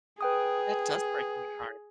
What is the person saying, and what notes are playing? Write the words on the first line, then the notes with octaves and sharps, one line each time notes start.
That does break my heart.
G#4 B4 G5 D#6